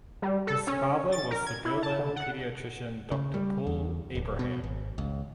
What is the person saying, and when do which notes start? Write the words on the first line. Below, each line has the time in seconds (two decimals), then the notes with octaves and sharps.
His father was the Berlin pediatrician Doctor Paul Abraham.
0.22 G3
0.47 A4
0.67 C#4
1.12 A6
1.31 A#4
1.47 G#6
1.65 E4
1.83 A5
1.99 D3
2.16 F#5
3.12 C#3
3.34 G3
3.67 E2
4.15 D1
4.39 B2
4.64 G#1
4.98 C#2